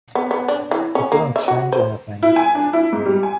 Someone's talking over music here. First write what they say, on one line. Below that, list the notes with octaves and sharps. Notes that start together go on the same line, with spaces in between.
It didn't change anything.
B3
B3
D4
E3
C#4
A#3
E5
F#4
C5
E4
G#5
D4
E4
G#2
G3
G#5